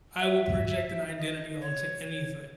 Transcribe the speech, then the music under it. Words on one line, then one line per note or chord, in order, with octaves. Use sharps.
I will project an identity onto anything.
E5
D#5
C#5